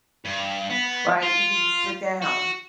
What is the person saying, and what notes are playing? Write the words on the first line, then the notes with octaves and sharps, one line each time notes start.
right? You could just sit down.
G2
B3
F4
F#4